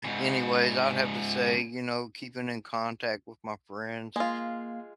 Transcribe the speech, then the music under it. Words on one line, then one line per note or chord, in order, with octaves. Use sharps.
anyways, I would have to say, you know, keeping in contact with my friends,
G#2 C#3
G#3 A#3 F4 F5